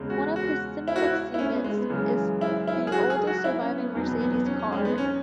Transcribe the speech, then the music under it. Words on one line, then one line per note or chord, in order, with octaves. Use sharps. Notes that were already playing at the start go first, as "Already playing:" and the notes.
One of his "Simplex" units is the oldest surviving "Mercedes" car.
Already playing: E2 C#3 G#3
F#4
F#4
E4
F#4
E4
E4
C#4
B3
G#3
B3
F#2 C#3 E3 G#3
E4
E4
G#4
F#4
G#4
F#4
E4
C#4
B3
E2 B2 F#3 B3
B3
B3
B3
C#4
C#4
G#3
B3
C#4